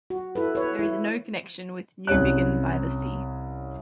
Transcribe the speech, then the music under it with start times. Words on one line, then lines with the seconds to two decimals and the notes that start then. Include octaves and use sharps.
There is no connection with Newbiggin-by-the-Sea.
0.10 F#4
0.35 E4 A4 B4
0.55 B4 C#5
0.79 E4
2.07 C2 C#4 G4 C#5 F#6